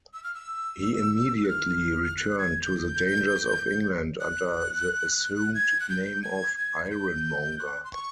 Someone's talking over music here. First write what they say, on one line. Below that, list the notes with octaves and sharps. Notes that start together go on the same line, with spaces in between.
He immediately returned to the dangers of England under the assumed name of Ironmonger.
E6
F6
E6
F#6
F6
F#6
G#6
G6
F#6
G#6
F#6
G6
G#6
G#6
G#6
G6
F#6
C6
C#6